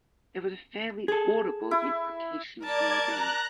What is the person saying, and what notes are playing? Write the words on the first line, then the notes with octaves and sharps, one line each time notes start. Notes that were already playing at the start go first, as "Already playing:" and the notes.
There was a fairly audible imprecation from within.
G#4 A4
E4
A#4 D5 A5 G#6
A#5 F#6